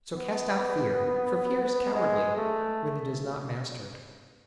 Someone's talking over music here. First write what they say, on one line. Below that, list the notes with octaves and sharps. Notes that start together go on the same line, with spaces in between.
So cast out fear, for fear is cowardly--when it is not mastered.
B3
G#3
A3